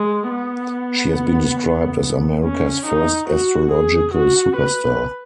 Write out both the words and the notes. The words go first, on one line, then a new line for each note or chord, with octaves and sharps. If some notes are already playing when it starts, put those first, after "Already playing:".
She has been described as "America's first astrological superstar".
Already playing: G#3
B3
C#4
D#4
F#4
G#4
F#4
B4